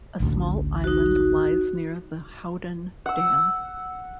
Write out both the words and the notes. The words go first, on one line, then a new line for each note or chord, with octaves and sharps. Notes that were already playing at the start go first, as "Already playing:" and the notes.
A small island lies near the Howden Dam.
A1 D2
D#4 F#4
F#5 E6